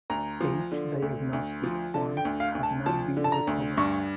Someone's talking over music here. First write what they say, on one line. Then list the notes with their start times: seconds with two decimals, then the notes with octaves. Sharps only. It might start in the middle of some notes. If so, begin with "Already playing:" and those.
Age diagnostic forms have not been recovered.
0.10 D2 A#5
0.41 F3
0.72 D3
1.02 D2
1.33 D2
1.64 F3
1.94 D3 A5
2.17 G5
2.25 D2
2.40 F5
2.55 D2
2.63 A5
2.86 F3 A5
3.17 D3
3.24 A5
3.32 A#5
3.47 D2
3.77 G2 C#6